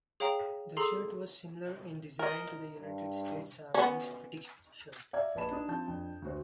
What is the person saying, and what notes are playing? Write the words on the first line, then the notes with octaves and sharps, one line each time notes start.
The shirt was similar in design to the United States Army fatigue shirt.
G#4 C#5 F5 G5 A#5
G#4 A4 A#5 C6 C7
A#4 D#5
G2
B3 C#4
D5 E5 F5 A#5 G#6
A#1 B4 D#5 A5 B5 E7
D4 D#4 D#6
F3 C4 A5 G6
F2 D4
D2 F#4 C5